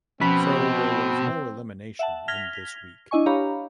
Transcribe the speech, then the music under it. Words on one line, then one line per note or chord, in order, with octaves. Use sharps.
So there was no elimination in this week.
B2 F3 C4 C#4 B5
E5 F#5 A5
F6 G#6 A#6 B6 F7 G7
D4 E4 D#5 G#5 C#6
D4 G4 C#5 F5 A#5 B5